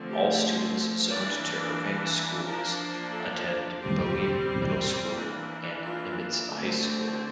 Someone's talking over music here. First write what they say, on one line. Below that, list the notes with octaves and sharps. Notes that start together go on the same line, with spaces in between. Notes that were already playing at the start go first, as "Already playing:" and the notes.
All students zoned to Irving schools attend Bowie Middle School and Nimitz High School.
Already playing: D3 F3 A3 C4
G4
C5
E3 A#3 D4 D5
D5
F3 A#3 D4 A#4
A4
G3 C4 G4
E3 A#3 D4
F4
D3 A3 C4